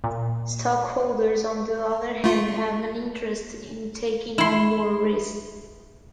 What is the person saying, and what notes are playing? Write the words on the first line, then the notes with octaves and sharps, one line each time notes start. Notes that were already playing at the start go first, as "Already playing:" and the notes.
Stockholders on the other hand have an interest in taking on more risk.
A#2
A3 F4
E4 C6